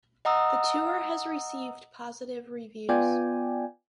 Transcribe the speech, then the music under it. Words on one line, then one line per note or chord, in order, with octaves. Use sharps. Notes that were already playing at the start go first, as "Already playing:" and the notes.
The tour has received positive reviews.
D#5 F#5 A#5 D#6 E6
B3 F4 D5 G5 G#5